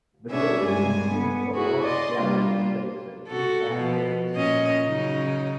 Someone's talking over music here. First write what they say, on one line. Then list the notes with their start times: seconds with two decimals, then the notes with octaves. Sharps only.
The building includes a large gathering space and heated bathrooms.
0.30 B2 C#4 D4 G#4 E5
0.66 G2 G#3 G#5
1.14 B3
1.54 E4 F#4 G#4
1.84 D5 D#5 C6
2.18 G3 A#3 D4 F4
3.28 F#4 A4
3.71 B2 F3
4.35 A#2 C#4 D#5
4.86 C#3 F#3 D#4